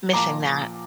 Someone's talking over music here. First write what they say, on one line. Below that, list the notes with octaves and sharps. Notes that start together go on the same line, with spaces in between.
Missing that.
A#2 F3 A#5 D6